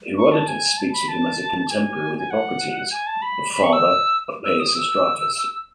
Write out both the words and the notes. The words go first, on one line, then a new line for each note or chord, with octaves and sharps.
Herodotus speaks of him as contemporary with Hippocrates, the father of Peisistratus.
C#6
A5
G#5
A5
B5
A5
G#5
G#5
F#5
G#5
A5
B5
B5
C#6
E6
E6
D#6
E6